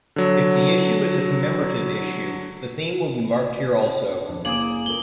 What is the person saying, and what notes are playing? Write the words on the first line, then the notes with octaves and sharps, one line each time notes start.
If the issue is a commemorative issue, the theme will be marked here also.
D3 F#3
D#1 F2 D4
F#1 A#3 E4 G#4 D5 D#6 F#7
C#2 F4 A#4 G7